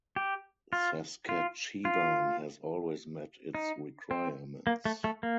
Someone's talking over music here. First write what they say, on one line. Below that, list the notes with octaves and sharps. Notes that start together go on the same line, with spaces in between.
Saskatchewan has always met its requirements.
G4
F4
F4
F4
D#4
C4
A#3
A3
A3
A#3